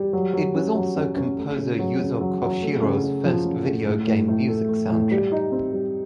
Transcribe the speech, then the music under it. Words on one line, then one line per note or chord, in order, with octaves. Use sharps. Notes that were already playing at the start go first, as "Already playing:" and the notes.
It was also composer Yuzo Koshiro's first video game music soundtrack.
Already playing: G3
F#3
F#3
C#4
F#3
C#4
C#4
A3
C#3
F#3
C#3
F#3
F#3
A3
C#3
C#3
F3
C#3
A3
A2
A2
A2
A3
A3
A2
G3
D#4
C4
G3